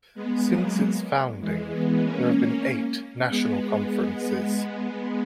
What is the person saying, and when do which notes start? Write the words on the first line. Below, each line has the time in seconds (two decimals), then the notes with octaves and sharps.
Since its founding, there have been eight national conferences.
0.15 G#3 B3
0.47 F#3 A#3
1.40 E3 G#3
1.72 G#3 B3
2.03 A#3 C#4
3.29 G#3 B3